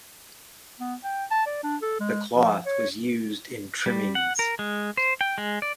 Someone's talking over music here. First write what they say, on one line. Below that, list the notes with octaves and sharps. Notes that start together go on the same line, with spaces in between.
The cloth was used in trimmings.
B3
G5
A5
D5
D4
A4
G#3
F3
C#5
G3
F#5
A#4
G#3
C5
G5
G#3
D5